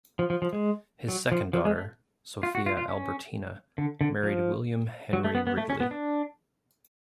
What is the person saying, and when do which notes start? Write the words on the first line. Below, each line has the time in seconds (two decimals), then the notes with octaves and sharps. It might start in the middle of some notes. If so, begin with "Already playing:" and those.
His second daughter, Sophia Albertina, married William Henry Ridley.
0.19 F3
0.30 F3
0.42 F3
0.53 G#3
1.09 F#3
1.32 F3
1.53 F3
1.65 G#3
1.76 A3
2.43 F4
2.55 F#4
2.66 F4
2.77 F4
2.88 C#4
3.78 D3
4.01 D3
4.23 F3
5.13 F#3
5.24 A3
5.35 B3
5.47 B3
5.58 A3
5.70 C#4
5.80 B3
5.91 D4